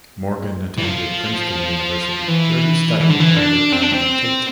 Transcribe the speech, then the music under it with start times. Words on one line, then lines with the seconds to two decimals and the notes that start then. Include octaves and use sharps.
Morgan attended Princeton University, where he studied under Allen Tate.
0.78 E3
0.84 F3
2.28 E3
3.00 E3
3.10 D3
3.20 E3
3.37 D4
3.73 C4
3.83 D4
3.93 C4